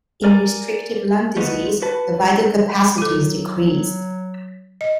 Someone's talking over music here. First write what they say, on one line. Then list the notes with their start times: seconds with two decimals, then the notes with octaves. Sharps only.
In restrictive lung disease the vital capacity is decreased.
0.24 A#4 D5 G#5 A#5
1.37 G3 A3 B3 D#4 F4 F#4
1.82 F#4 B4 A5
2.98 F#3 F4 A4
4.81 D#5